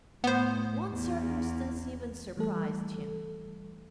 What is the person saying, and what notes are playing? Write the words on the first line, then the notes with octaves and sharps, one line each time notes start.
One circumstance even surprised him....
A2 B3 C5
E2
E3 G3 A3 A4